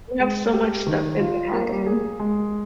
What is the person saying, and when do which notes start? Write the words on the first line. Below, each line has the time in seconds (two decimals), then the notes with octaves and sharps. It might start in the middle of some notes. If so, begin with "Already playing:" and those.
they have so much stuff in Manhattan.
0.20 G#3
0.54 G4
0.86 D#3
1.20 F4
1.53 A#3
1.86 G#4
2.20 G#3